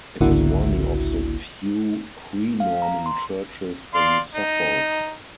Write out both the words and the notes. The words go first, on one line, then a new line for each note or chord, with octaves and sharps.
It is one of the few pre-Norman churches in Suffolk.
G#1 C#2 D3 A#3 E4 F#4
F5
A#5
C6
D5 F5 C6
D#4